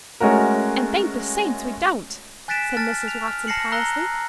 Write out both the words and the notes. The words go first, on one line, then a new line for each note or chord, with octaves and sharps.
"And thank the saints we don't!" said Mrs. Watson, piously.
G#3 A3 C#4 F#4 A#4
G#5 F#6 A6 B6 D7 E7
A5 F6 A6
F7
F6
A5 A#6 C7 C#7 F#7
A#5 E6 F#6 A#6 G7